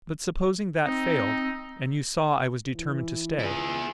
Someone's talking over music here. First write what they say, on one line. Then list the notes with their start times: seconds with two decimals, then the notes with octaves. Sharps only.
But supposing that failed, and you saw I was determined to stay?
0.85 C4 D#4
2.76 E3
3.39 C#2 E4 G#4